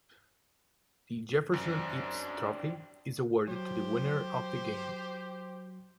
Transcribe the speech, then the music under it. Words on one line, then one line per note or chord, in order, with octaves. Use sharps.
The Jefferson-Eppes Trophy is awarded to the winner of the game.
F#2 C4 D4
F#3 G4 C5